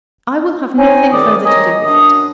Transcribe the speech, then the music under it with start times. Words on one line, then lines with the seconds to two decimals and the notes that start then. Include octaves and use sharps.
I will have nothing further to do with it.
0.77 C4 C#4 D#4 C5 C#5 G#5
1.12 E2 G#2 D#3 D5 D6 D#6
1.45 D#3 C#5 D#5 G#5 D#6
1.84 F#2 D4 D#6